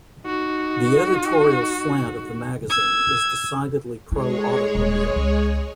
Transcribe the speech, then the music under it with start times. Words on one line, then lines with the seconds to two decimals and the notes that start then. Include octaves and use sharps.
The editorial slant of the magazine is decidedly pro-automobile.
0.23 D#4 F#4
2.70 E6 G#6
4.12 G#3 E4 G#4 C#5
4.75 D#1
5.16 C#2